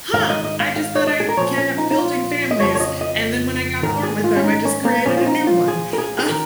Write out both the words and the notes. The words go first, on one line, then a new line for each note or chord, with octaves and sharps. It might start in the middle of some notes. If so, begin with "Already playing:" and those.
"Huh, I just thought I kept building families, and then when I got bored with them, I just created a new one." Um,
G#2 D#3 F5
D#5
D#5
F5
F5
C#5
D#5
G#4
A#4
A#2 F3 C#5
C#4
D#4
D#4
F4
D#5
F2 C#3 F3 C#5
C#5
D#5
D#5
G#2 D#3 A#4
G#4
F4
C#4
D#4
C#4
A#3
A#2 F3 C#4
F4
D#4
F4
G#4
A#4
G#4
G#4
D#3 A#4